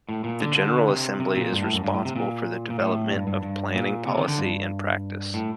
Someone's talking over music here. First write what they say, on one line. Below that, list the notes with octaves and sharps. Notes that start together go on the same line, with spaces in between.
The General Assembly is responsible for the development of planning policy and practice.
A2
A#2
D3
D3
C3
C3
A#2
G2
A2
F#2
G2
A2
C3
A#2
A#2
A2
G2
G2
G2
A#2
C3
D#3
D3
G2
A2